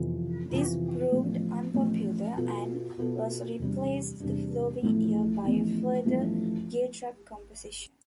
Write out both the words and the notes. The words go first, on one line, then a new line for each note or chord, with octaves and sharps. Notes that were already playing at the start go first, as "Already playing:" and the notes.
This proved unpopular, and was replaced the following year by a further Giltrap composition.
Already playing: F2 C3 E3 B3 F4
F2 C3 E3 B3 F4
A1 A2 F3
A1 A2 F3
B2 B3 F4 A4
B2 B3 F4 A4
E2 C3 G3 D4
E2 C3 G3 D4
A1 A2 F3 A3 E4
A1 A2 F3 A3 E4
A1 G2 F3 A3 E4